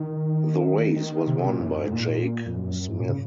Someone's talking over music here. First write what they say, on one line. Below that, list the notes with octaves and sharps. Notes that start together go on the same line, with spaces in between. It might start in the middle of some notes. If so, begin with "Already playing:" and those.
The race was won by Jake Smith.
Already playing: D#3
D#3
C3
C3
A#2
F#2
F2
G#2
A#2
F2
F#2
G#2
A#2
C#3